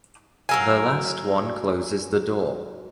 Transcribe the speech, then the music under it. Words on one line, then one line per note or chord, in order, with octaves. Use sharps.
The last one closes the door.
F#3 A#4 F5 G#5 E6